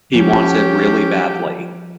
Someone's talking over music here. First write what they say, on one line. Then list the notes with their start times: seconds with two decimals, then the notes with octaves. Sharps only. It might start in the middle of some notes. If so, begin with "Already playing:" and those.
He wants in really badly.
0.15 F3 C#4 G4